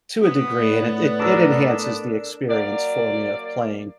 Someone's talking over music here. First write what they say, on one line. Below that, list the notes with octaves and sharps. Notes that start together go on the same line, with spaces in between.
to a degree and it it enhances the experience for me of playing.
B3
A2 D5
D4 A4 A#4
F#3 A#3 D5